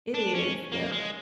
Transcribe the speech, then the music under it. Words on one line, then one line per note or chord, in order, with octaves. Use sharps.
It is, yep.
D4
C#4
A#3
G#3